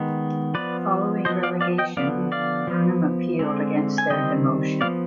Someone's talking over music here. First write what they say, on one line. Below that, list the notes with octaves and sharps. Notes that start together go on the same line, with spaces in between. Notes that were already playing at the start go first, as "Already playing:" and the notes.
Following relegation, Burnham appealed against their demotion.
Already playing: D#3 G#3 B3
F3 B3 B4 D5
F3 B3 C5 D#5
D5 F5
D5 F5
D#5 G5
D3 F3 B3 D5 F5
D5 F5
F3 B3
D3 G#3 C4
G#5
D#3 G3 C4 D#5 G5
F3 B3 D5 F5